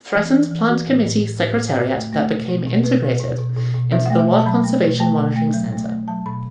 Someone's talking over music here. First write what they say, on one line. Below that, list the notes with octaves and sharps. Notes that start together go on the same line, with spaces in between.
Threatened Plant Committee Secretariat that became integrated into the World Conservation Monitoring Centre.
E3
E3
E3
E3 F#4
A2
A2
A2
A2
A2
A2 F#4
A3
A3
B2
B2
B2
B2 B4
B2
B2
B2
B2
B2
B2 E5
A3 F#5
E5
B2 A5
A5
F#3 B5
A3
B2
A3 A5
B2
A3
F#3
A3
A3
F#3 A5
B2 B5